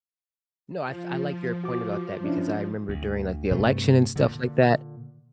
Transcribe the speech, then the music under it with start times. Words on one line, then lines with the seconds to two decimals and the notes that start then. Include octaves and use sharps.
No, I th I like your point about that because I remember during like the election and stuff like that,
0.86 F3
1.64 F#4 D6
2.23 C#4 D4 E4
2.89 D2
3.51 G2 C3 A3
4.16 A#2 D3